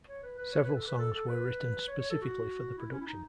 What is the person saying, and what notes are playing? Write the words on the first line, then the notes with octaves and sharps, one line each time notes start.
Several songs were written specifically for the production.
C#5
B4
B4
C#5
B4
A4
B4
A4
A4
B4
C#5
C#5
A4
F#4
E4
C#4
E4
D#4